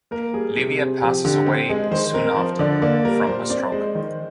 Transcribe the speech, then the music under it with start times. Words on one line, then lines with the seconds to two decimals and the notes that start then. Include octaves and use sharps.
Livia passes away soon after from a stroke.
0.11 A#3 A#4
0.33 G3 G#4
0.57 C3
0.79 C4
1.01 F3 G4
1.25 D3 G4
1.46 C4 G4
1.69 G#3 G#4
1.91 D#3 C5
2.14 C4 A#4
2.36 F3 C5
2.59 D3 D5
2.82 A#3 D5
3.05 G3 A#4
3.27 A#2 C5
3.50 C4 D5
3.72 G#3 C5
3.95 D#3